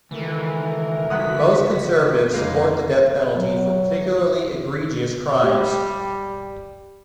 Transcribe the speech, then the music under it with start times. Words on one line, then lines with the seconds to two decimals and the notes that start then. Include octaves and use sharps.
Most conservatives support the death penalty for particularly egregious crimes.
0.11 C#2 D#3 E3 A3 A#4
1.10 C2 F#4 F#5 D#6 B6
2.34 F2 C#3 G#3 A#3 F5
3.35 F#3
5.44 G3 G4